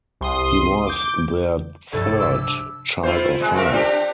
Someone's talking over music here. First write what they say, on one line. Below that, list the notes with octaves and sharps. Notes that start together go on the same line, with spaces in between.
He was their third child of five.
C2 C6 D#6
D6 G6
F1 C2 G2 A4
E5 A5 D6 E6
E4 F4 C5
B2 G#3
F4 A#4 E5
C4 D4 G4